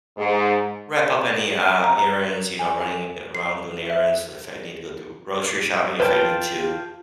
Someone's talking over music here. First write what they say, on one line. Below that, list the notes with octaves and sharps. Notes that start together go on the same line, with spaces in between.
wrap up any, uh, errands, you know, running a around doing errands, if I need to go do grocery shopping, if I need to,
G#2
A#5
G#5
C7
E5
F4 B4 G5 A5